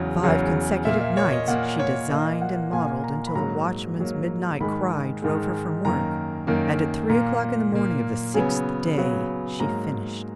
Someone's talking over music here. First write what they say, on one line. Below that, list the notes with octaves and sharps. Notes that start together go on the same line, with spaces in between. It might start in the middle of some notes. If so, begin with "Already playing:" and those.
Five consecutive nights, she designed and modelled until the watchman's midnight cry drove her from work, and at three o'clock in the morning of the sixth day, she finished.
Already playing: E2 C#3 F#3
E2 C#3 F#3
A#2 A#3 E5
E5
C#5
D#5
A#2 A#3 F#5
C#5
A#2 A#3 D#5
F#5
A#2 A#3 G#5
A#5
B5
G#2 F#3 A#3 A#5
G#2 F#3 A#3
G#2 D#3 G#3 B5
G#2 D#3 G#3
F#2 D#3 A#3 A#5
F#2 D#3 A#3
A#2 A#3 A#5
A#2 A#3
C#3 F#3 B3 G#5
C#3 F#3 B3
G#2 F#3 A#3 A#5